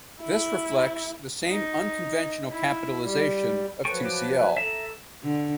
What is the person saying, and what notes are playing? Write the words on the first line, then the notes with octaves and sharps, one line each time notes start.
This reflects the same unconventional capitalization of Tcl.
E4
D#4
E4
G3
F3 F#3 A4 B4 C#5 G5 C#6
G5 A5 D6
A4 E5 A#5 E7
D3